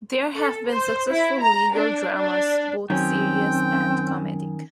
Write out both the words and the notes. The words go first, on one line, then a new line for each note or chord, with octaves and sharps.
There have been successful legal dramas both serious and comedic.
A4
C5
E4
A#5
D4
D4
F#2 D#3 C4 C#4 G5